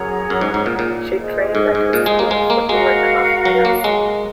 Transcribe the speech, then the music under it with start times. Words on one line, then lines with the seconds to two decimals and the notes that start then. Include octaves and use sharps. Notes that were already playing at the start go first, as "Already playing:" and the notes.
She trained at his school for two and a half years.
Already playing: F#2 G#4 C#5 F#5 A#5
0.30 F#2
0.41 G#2
0.54 G#2
0.66 A#2
0.79 A#2
1.17 G#4 C5 D#5
1.55 G#2
1.75 G#2
1.93 A#2
2.06 G#3
2.19 A#3
2.31 G#3
2.50 A#3
2.69 G#3 F#4 A#4 F5
3.45 F#3
3.65 A#3
3.84 G#3